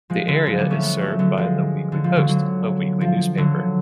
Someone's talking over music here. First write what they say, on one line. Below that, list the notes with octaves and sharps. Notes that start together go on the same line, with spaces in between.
The area is served by the "The Weekly Post", a weekly newspaper.
F3 G#3
D3 F#3
F3 G#3
B3 D4
A3 C#4
G#3 B3
F#3 A3
D3 F#3
F3 G#3
D3
F3
D3 F#3
D3 F#3
F3
D3 F#3